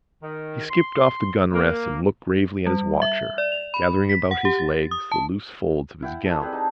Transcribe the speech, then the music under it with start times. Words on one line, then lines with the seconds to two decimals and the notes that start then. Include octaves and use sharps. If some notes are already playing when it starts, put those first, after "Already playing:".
He skipped off the gunrest and looked gravely at his watcher, gathering about his legs the loose folds of his gown.
0.22 D#3
0.70 C6
1.53 A#3
2.66 G3
3.02 E5
3.38 D5
3.52 F7
3.74 B5
4.09 B6
4.31 F#5
4.45 G4
4.59 A6
4.91 D#6
5.12 A5
6.02 E4 F#5 G5
6.26 A4
6.40 G3 C4 G#4 B4
6.53 D#4 A5